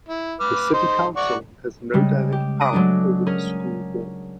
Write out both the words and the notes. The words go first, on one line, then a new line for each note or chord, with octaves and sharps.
The city council has no direct power over the school board.
E4
B4 D6 F6
D#4 C5
D5 F#5 C#6
C#3 G3 G#3
G4
D6 D#6 F#6 A#6 D7 D#7
F#3 G#3 A3 D4
C#4 G#4 A#4